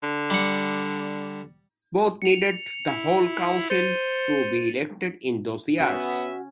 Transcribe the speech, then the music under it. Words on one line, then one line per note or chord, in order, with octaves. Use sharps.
Both needed the whole council to be elected in those years.
D3
G3 F#5
C#7 F7
E4
C5 A6 C#7 D#7
B3 C#4 F#4 E5